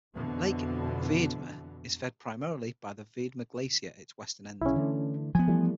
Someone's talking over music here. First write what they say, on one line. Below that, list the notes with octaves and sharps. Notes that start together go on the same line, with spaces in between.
Lake Viedma is fed primarily by the Viedma Glacier at its western end.
F2 B2 D3 E3
B1 C#3 C#4 E4
D3 E3 A3
F3 B3 G#5
E3 G3 A3